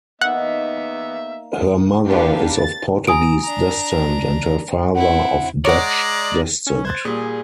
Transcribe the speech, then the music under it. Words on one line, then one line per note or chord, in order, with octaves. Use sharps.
Her mother is of Portuguese descent and her father of Dutch descent.
A#3 B3 D#4 E5 F#5
A#3 B3 D4 G4 B4 F5
A6
G#5 A#5 D#6 D7
D4 A#5
C4 E4 F#5
G#3 C#5 D5 F#5 A#5
C#4
C5 F#6 G#6 A6
A#2 G3 G#4